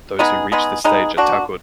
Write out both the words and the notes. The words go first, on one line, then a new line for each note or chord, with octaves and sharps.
Those who reach this stage are taghut.
G#3 B3 D#4 G#4
G#3 B3 D#4 G#4
G#3 B3 D#4 G#4
A#3 D4 F#4